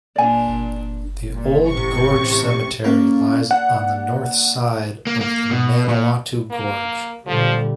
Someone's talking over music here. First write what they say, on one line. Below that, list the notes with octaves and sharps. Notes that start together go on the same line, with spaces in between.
The Old Gorge Cemetery lies on the north side of the Manawatu Gorge.
A#2 D4 D5 G#5
A#2
A1 C3 C#6
A#3 C#4 A4 F5
D4 F#5
A#3
A#3
B2
A#2
A#3
A#2 D3 F3 G3